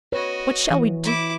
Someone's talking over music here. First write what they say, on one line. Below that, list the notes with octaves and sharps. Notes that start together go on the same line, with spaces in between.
What shall we do?
F#4 B4 C#5 D#5
E3
E4 D6